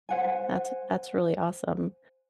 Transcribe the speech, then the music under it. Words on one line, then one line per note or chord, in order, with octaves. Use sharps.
That's that's really awesome.
C5 F#5 G#5